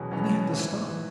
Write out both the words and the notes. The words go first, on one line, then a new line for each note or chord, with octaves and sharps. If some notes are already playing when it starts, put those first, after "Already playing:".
Then he had to stop.
Already playing: E2 B2 F#3 C#4 G#4
E2 B2 F#3 C#4 G#4
A#1 G#2 E3
E3